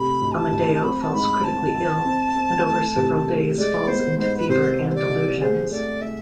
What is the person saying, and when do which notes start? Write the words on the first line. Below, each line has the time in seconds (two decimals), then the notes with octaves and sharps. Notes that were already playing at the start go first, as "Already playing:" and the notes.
Amadeo falls critically ill, and over several days falls into fever and delusions.
Already playing: C3 A3 B5
0.22 D2
0.32 G#5
0.37 A5
0.52 D2
0.74 A5
0.83 C4 B5
1.02 A5
1.13 G#2 B5
1.44 C4 A5
1.74 E3
2.05 C4
2.35 C4
2.66 A3
2.96 C3
3.28 A3
3.58 G#3 D5
3.88 B3 C5
4.18 G#2 C5
4.37 B4
4.49 C3 C5
4.79 C2
4.89 C5
4.95 D5
5.10 C2
5.41 G#4 C5
5.71 A3 D5
6.01 A3 E5